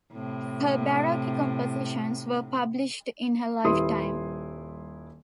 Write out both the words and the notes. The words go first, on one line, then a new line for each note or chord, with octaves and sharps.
Her Baroque compositions were published in her lifetime.
A2 C3
D#1 G3 E4 B4 C6 D#6